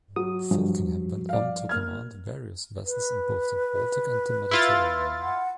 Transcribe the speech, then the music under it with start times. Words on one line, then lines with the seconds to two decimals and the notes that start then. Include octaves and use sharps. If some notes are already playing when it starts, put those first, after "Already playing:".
Falkingham went on to command various vessels in both the Baltic and the Mediterranean.
0.16 F#3 D#6
0.51 G2 F3
1.29 D5 F5
1.69 A#3 F6 G#6
2.85 B4
4.51 E4 F4 A6
5.22 F#5